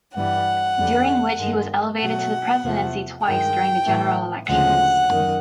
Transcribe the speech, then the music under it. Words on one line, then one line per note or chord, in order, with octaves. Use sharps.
During which he was elevated to the presidency twice during the general elections.
G2 E3 G3 F#5
F2 D3 G3
G2 D#3 G#3
B2 F#3 A3 F#5
E2 C3 F3 A3
G2 D#3 G#3 G5
A2 E3 A3
D2 C#3 F3 G#3 F#5
F#2 D#3